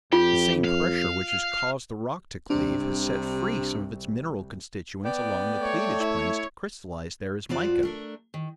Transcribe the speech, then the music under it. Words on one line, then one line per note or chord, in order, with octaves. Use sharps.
The same pressure which has caused the rock to cleave has set free some of its mineral constituents along the cleavage planes to crystallize there as mica.
F2 F4 G4
F5
C2 C3 D4
B3 D5 G5
A3 C#5
E4
F2 F3 F4 F#4 D5
A3 D4 A#4
D#3